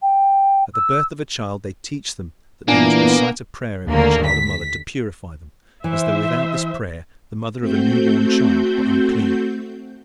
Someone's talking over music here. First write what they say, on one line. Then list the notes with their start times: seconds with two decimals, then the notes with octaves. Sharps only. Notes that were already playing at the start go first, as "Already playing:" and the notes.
At the birth of a child they teach them that they must recite a prayer over the child and mother to purify them, as though without this prayer the mother of a newborn child were unclean.
0.02 G5
0.74 E6
2.68 A#2 E3 A#3 B3 D4 G#5
3.89 D#2 D3 A3 A#3
4.27 B6
5.84 E3 C5 E5
7.59 A3 C4 F#4 G6